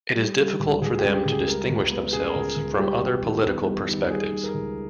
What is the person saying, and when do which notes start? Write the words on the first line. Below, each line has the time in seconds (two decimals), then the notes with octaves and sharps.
It is difficult for them to distinguish themselves from other political perspectives.
0.16 G3
0.38 G3
0.60 C#2
0.82 C#2 G#4
0.99 G4
1.04 C#3
1.26 C#2
1.32 G#4
1.47 G3 A#4
1.69 C#2
1.91 B3
2.13 C#3 G#4
2.27 A#4
2.35 C#2 G#4
2.57 C#2
2.79 G3 G4
3.01 E2
3.23 D#3
3.45 E2
3.67 G3
3.89 D#3
4.10 G3 G#4
4.32 G3
4.44 A#4
4.54 C#2